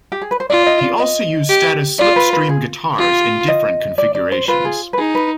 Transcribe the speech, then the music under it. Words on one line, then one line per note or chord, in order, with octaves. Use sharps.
He also used Status Slipstream guitars in different configurations.
G4
G#4
B4
C5
F4 D5
D#5
D5
D#5
G4
F4 D5
B4
B4
G#4
F4 G4
D#5
D5
D5
C5
F4 B4
G#4
B4
D#4 G#4
B4